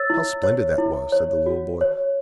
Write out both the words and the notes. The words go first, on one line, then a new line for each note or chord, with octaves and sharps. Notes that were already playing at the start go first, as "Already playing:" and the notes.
"How splendid that was!" said the little boy.
Already playing: C#5 E6 A6
E4
C#5
E4
C#5
F#4
C#5